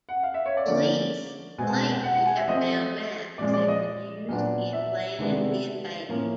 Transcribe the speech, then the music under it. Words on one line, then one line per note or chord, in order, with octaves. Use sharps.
Police claimed to have found maps that were used in planning the attack.
F#5
F5
E5
C#5
D5
D3 F3 A#3 C#4 D5
B2 G#3 C4 G#5
A5
A5
G5
F#5
F#5
G#5
E5
F3 A3 C4 D#5
A#2 F3 G#3 D5
D5
D#5
A#2 F#3 B3 D4
E5
C3 D#3 G#3 B3 D4
A2 F3 A#3 C#4